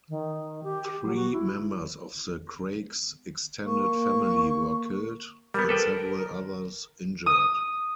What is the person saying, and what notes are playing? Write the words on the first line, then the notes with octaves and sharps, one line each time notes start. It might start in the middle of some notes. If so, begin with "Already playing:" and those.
Three members of the Craiggs' extended family were killed, and several others injured.
D#3
G4
G4
F#3
F#4
E4
A#3 C#6
G3 B3 A#4
A4 B4 G5
D#6